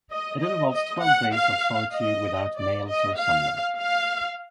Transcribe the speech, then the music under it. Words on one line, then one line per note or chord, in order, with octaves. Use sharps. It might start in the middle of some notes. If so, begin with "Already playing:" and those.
It involves twelve days of solitude without males or sunlight.
D#5
D#5
D#5
F#5
F5
D#5
D5
D#5
F5
F5